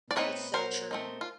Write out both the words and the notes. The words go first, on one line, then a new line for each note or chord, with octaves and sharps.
That's so true.
D5
A3 C4 D#4 B4 C#5
F#3 A#4 C5
A3 C4 D#4
F4